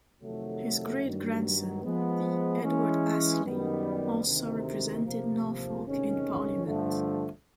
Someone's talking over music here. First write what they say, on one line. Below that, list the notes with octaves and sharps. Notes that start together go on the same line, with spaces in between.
His great-grandson, the Edward Astley, also represented Norfolk in Parliament.
F2 C3 D#3 F#3 A3
G2 D#3 F#3
F3 G#3 B3
E3 G#3 C#4
F#2 D#3 G3 B3
D2 C3 D#3
C3 F3 A#3
D2 C3 D#3 G#3 C#4
G2 D3 F3 A3